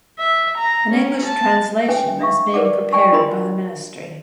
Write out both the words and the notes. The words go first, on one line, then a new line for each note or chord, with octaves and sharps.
An English translation is being prepared by the Ministry.
E5
A#5
C#4
A5
C#4 B4 G5 G#5
D4 E5 F5 C#6
A#4 B4 D5 F#5 D6
D5 G5 G#5 C#6
D4 F4 A#4 D#5 B5 C6